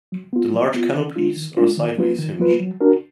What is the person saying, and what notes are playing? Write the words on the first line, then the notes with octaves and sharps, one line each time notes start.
The large canopies are sideways hinged.
F#3
B3 F4
F#3
B3 F4
D#3
G#3 D4 F4
D#3
G#3 D4 F4
D#3
F#3 A#3 F4 B4
D#3
F#3 A#3 F4 B4
F#3
D4 F#4 A#4